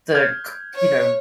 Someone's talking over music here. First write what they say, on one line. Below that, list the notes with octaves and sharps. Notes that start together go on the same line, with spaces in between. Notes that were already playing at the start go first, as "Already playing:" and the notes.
the c you know,
F6 G6 G#6
C#5